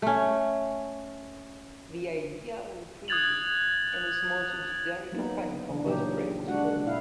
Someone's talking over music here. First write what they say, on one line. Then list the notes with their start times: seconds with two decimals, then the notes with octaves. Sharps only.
The idea was approved and a small subsidiary company called Osprey was formed.
0.02 A3 C#4
3.08 D#6 F#6 G#6 A6 F7 F#7
5.12 F#3 A#3 B3 D#4
5.69 C#3 E3 D4
5.86 A#2 F3 F#3 D#4 G4
6.48 G#3 D4 F#4 F#5
6.85 A#2 E4 F5